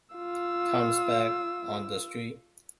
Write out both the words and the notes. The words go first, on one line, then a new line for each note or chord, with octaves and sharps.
Tom's back on the street.
F4 E6